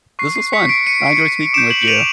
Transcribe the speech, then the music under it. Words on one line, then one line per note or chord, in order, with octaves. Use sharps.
this was fun. I enjoyed speaking with you.
C#6 F#6 C7
C7
B6 C#7
C7 D7
C#7 D#7
D6 G6 D7 E7
E7 F#7
F#7
D#7 F7